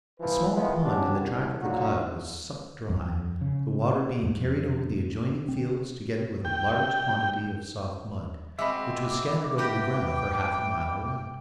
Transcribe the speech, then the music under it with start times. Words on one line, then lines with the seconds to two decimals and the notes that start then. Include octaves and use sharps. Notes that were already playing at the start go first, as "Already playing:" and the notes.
"A small pond in the track of the cloud was sucked dry, the water being carried over the adjoining fields together with a large quantity of soft mud, which was scattered over the ground for half a mile around."
0.20 C2 E3 F3 B4
0.53 D#3 F3 G#3 B3 E4 F4
0.85 E2 G#2 C#4 D4 F#4 G4
1.19 C2
1.61 A2 D3 F#3 D#4 F4 F#4
2.89 F2
3.41 C#3
4.23 F2
5.49 C4
6.45 G5
8.59 G#3 C4 F#4 E5 B5 D6
9.58 F#4 G4 B4 G5